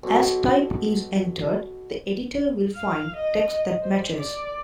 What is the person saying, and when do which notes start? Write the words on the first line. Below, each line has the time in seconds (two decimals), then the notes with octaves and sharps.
As type is entered the editor will find text that matches.
0.04 B1 B2
2.76 F5
3.16 D#5
3.82 C5
4.17 D5